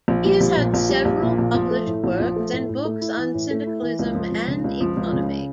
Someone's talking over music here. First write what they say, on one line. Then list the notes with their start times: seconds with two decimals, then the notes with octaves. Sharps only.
He has had several published works and books on syndicalism and economy.
0.08 A#1
0.25 G3
0.41 A#1
0.57 A#2
0.74 A#1
0.89 G3
1.05 A#1
1.22 A#2
1.38 A#1
1.54 F3
1.71 A3
1.87 A2
2.04 A#1
2.20 F3
2.36 A3
2.53 A2
2.69 A2
2.85 A3
3.01 E4
3.17 E3
3.34 A2
3.51 A3
3.67 E4
3.82 E3
3.99 C#2
4.15 F3
4.31 C#2
4.47 C#3
4.64 C#2
4.81 F3
4.96 C#2
5.12 C#3